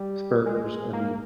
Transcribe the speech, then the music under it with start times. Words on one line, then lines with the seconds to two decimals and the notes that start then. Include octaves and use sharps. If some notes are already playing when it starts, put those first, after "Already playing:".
Spurs, I mean
Already playing: G3
0.46 G#3
0.93 A#3